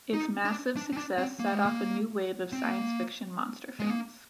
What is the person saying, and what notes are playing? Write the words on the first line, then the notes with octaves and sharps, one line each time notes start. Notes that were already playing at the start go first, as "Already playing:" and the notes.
Its massive success set off a new wave of science-fiction monster films.
D#4
D4
D4
C4
D4
C4
A#3
G#3
A#3
C4
A#3
G#3
A#3